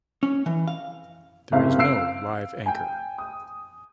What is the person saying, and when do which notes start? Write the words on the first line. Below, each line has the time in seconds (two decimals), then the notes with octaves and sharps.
There is no live anchor.
0.23 C#4
0.46 E3
0.68 F5
1.52 F#1 C3 E5 F5
1.79 F5 E6 C7 D7
2.66 G5 G#5
3.18 D#6